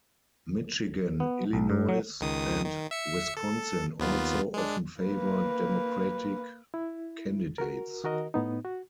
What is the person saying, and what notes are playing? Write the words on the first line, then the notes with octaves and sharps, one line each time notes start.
Michigan, Illinois, and Wisconsin also often favor Democratic candidates.
B3
B1
G2
F#3
C#2 D#3 D#6
D#3
E5 C#7
A4
D#2 B3 F4
G#3 D4
A#3 B4
E4
F#4 A#4
D#3 F#4 A#4 D#5
A2 B3 D#4
F#4